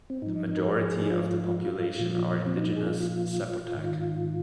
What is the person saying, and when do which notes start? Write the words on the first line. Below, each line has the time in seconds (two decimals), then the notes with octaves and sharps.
The majority of the population are indigenous Zapotec.
0.10 C4
0.22 G#2 F3 D#4
0.57 A#4
0.66 G#4
1.01 D#4
1.11 F4
1.98 A#2 F3 F4
2.46 C4
2.57 D#4
2.76 G#4
2.87 F4
3.74 G#2 D#3